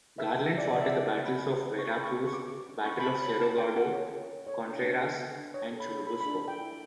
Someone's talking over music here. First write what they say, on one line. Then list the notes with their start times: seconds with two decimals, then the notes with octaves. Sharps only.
Garland fought at the battles of Veracruz, Battle of Cerro Gordo, Contreras and Churubusco.
0.18 B4 E5
0.32 G5
0.36 C#4
0.44 E5
0.54 F#4 D5
0.72 B4 D5
0.80 E5
0.87 C#4 D5
1.08 F#4
1.25 B4 B5
1.43 C#4
1.61 B4
1.79 C#4 C#6
1.91 B5
1.97 C#4
2.04 C#6
2.14 B4
2.27 C#6
2.33 C#4 D6
2.51 G4
2.69 C#4
2.81 B5
2.86 C#4 C#6
2.99 B5
3.04 G4 A5
3.22 C#5 B5
3.40 C#4 A5
3.58 C#5 G5
3.75 C#4 F#5
3.93 C#5
4.12 C#4
4.30 C#5
4.47 A4 C#5
4.65 D4
4.83 D4
5.00 A4
5.18 A4
5.36 D4
5.54 C#5
5.72 A4
5.80 B5
5.89 D4
6.07 A4 B5
6.21 B5
6.26 D4
6.43 A4 G5
6.61 E4